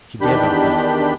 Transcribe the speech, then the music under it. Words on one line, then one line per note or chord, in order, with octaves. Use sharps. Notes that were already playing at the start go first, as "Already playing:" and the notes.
She gave a gasp.
E2 D#3 D4 G4 B5 G6